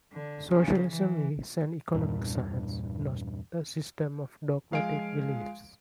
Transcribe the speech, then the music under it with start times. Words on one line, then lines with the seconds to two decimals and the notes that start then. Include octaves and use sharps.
Socialism is an economic science, not a system of dogmatic beliefs.
0.13 D3
0.51 C#3
0.90 E3
1.94 E2 G2 A#2
4.71 F3 G#3 F5 G#5 D7